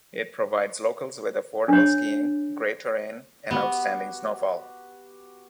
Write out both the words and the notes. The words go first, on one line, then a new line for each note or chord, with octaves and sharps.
It provides locals with affordable skiing, great terrain and outstanding snowfall.
D4 C#5
B3 F#4 G4